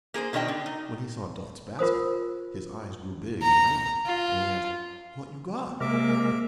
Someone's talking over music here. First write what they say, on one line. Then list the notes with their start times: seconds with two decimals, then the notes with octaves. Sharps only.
When he saw Dot's basket his eyes grew big and round, and he asked, "What you got?"
0.14 A#3 G#4 A#4 C5
0.33 B2 D#3 D4 D#5 G5
0.48 D3 D4
0.66 D#4
1.79 F4 A#4 C5 D#6
3.42 A#5
4.06 F4
5.81 C3 G#3 A#3 A#4 E5 D6